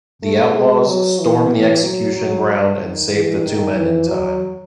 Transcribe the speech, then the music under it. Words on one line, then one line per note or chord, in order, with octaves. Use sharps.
The outlaws storm the execution ground and save the two men in time.
A3
G#3
F#3
E3
E3
F#3
F#3
D#3
E3
D#3
E3
F#3